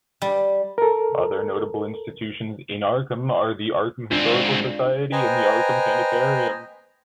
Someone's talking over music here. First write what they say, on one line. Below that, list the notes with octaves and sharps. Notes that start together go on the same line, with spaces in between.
Other notable institutions in Arkham are the Arkham Historical Society and the Arkham Sanitarium.
G3
A4 A#4
G#2 C4 D4 F4
B4 C5 D#5 G5 G#5 A#5